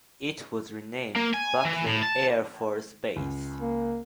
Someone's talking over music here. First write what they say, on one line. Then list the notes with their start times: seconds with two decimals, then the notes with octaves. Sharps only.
It was renamed Buckley Air Force Base.
1.16 A#3
1.34 G#5
1.65 E3
1.86 A2
2.03 A5
3.16 C#2
3.61 A#3